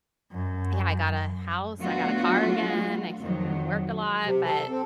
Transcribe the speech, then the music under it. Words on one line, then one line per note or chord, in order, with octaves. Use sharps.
Yeah, I got a house, I got a car again, I ca worked a lot, but
F#2
F#3 A3 B3 D4 F4 F#4
F2 D#3 F#3
C3
A4
C4